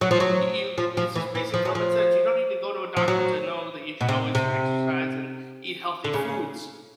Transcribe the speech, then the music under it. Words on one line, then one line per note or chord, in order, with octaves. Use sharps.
you you it's just basic common sense, you don't need to go to a doctor to know that you should always exercise and eat healthy foods.
F#3
F3
F#3
F3
F3
E3
E3
F3
F#3
F3
F3
F#3
B2
C3
C3
D3
C#3